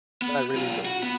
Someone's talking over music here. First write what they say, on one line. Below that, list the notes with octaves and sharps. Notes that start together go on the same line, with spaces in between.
I really do.
B3
B1 F4
F#4
B3